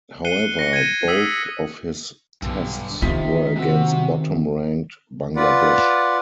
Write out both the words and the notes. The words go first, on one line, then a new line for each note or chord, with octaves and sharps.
However, both of his Tests were against bottom-ranked Bangladesh.
F#6 C7 C#7 D#7 G7
A#6 C#7
G#6 D#7
D#6 E6 B6 C7 F#7
B1 G2 B2 D3
C3 D#3 F4 B6
C3 D#3 C4 F#4 E5
F4 B4 D5 F#5